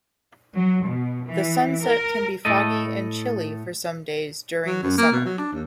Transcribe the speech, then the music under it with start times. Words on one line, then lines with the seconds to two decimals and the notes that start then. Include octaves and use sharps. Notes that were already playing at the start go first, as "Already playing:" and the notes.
The Sunset can be foggy and chilly for some days during summer.
0.55 F#3
0.86 B2
1.25 E3
1.83 A#4
2.45 A2 A3 A4 D#5
4.66 F#3
4.83 F#2
4.98 A#3
5.12 B2
5.25 F#3
5.38 D4
5.53 D#2